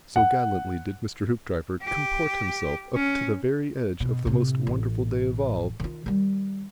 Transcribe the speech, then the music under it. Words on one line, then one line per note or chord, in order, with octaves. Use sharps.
So gallantly did Mr. Hoopdriver comport himself up to the very edge of the Most Wonderful Day of all.
F#5
G4
C#4
B2
A2 C3
A1
D#3 F4
D#3 G3